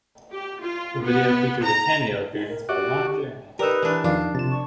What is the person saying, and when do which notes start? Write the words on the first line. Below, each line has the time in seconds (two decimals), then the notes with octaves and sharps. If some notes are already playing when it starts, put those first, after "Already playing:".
The video features a cameo appearance by Ron Jeremy.
0.32 G4
0.62 F4
1.04 B3
1.63 A#5
2.33 D#4
2.48 A#4
2.69 F#4 G4 D5
3.59 D#4 G4 A#4 B4 D5 E6
3.82 E3 D4
4.04 E2 D#3 F3 D4 D5 F5
4.20 D#4
4.35 C3 F4 A5 E7
4.51 C#6